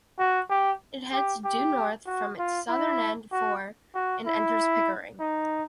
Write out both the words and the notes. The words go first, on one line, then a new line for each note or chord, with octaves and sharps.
It heads due north from its southern end for and enters Pickering.
F#4
G4
G4
G4
F#4
F4
E4
F#4
F#4
E4
D#4